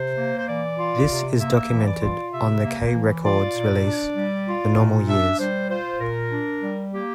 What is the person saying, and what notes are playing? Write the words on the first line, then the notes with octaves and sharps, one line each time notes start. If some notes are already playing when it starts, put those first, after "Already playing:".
This is documented on the K Records release "The Normal Years".
Already playing: C3 C5
A#3
C5
E3 D5
F4
C3
A#3 E5
E3
D5
F4
C3 E5
A#3
E3
F4 D5
A#2
D4
G3
F4
A#2
D4 E5
G3 C5
F4 C5
A#2 A#4
D4
G3
A#3 G4